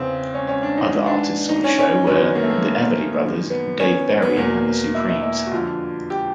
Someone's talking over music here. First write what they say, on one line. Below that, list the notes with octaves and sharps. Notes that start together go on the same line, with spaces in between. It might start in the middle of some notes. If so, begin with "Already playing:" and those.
Other artists on the show were The Everly Brothers, Dave Berry and The Supremes.
Already playing: E2 C#3 E3 C4
C#4
C#4
D4
D#4
G#2 E3 D#4
D4
D#4
C#4
C#4
F#2 D#3 C#4
B3
A#3
A3
A#3
F#2 D#3
B3
C#4
B3
E2 B2 A#3
E4
E4
E4
F#4
F2 D3 F4
G4